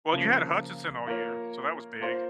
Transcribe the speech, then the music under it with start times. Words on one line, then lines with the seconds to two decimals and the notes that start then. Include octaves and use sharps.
Well, you had Hutchinson all year, so that was big
0.12 C#3 F3 A#3
1.07 A#3 F4 A#4 C#5
2.00 A#3 F4 C5